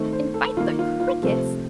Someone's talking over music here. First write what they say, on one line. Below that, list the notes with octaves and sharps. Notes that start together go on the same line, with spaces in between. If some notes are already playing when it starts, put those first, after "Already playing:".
Invite the Crickets?
Already playing: D#3 A3 C4
C5
A4
D#3 A#3 F4
F4
F4
C3 F3 A3 C4